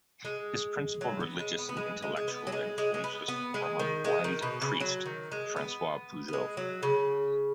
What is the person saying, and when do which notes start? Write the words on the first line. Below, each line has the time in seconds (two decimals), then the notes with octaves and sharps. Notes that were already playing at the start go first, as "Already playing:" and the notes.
His principal religious and intellectual influence was from a blind priest, Francois Pouget.
0.25 G#3
1.01 F#3
1.20 B3
1.39 G#3
1.58 B3
1.69 B3
1.77 G#3
2.02 G#3
2.17 G#3
2.28 B3
2.47 F#3
2.52 G#3
2.78 G#3
2.94 G#3
3.04 B3
3.28 B3
3.54 G#3
3.79 D#3
4.05 G#3
4.24 D#3
4.42 B2
4.62 C#3
4.80 F#3
5.06 D#3
5.32 G#3
5.56 B3
6.28 B3
6.33 G#3
6.57 F#3
6.83 C#3